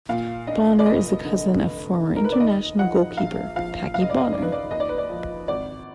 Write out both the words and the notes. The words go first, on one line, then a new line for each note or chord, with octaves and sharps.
Bonner is a cousin of former international goalkeeper, Packie Bonner.
A#2 F5
D4 D#5
D5
F1 D#5
D3
F1
D#3
A#4
B4
D5
D#2 D#5
F3 F#5
A#1 F5
F3 F5
F#1 F5
D#5
D5
D#5
D#3 D5
B4
D5
D#2 D#5
D5
B4
D5
F3
G#1 D5